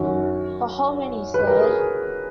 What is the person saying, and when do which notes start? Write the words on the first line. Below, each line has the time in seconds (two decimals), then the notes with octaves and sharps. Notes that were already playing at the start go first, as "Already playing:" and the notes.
For how many, sir?
Already playing: F#2 D#3 F#3 F#4
1.34 B4
1.47 A#4
1.60 G#4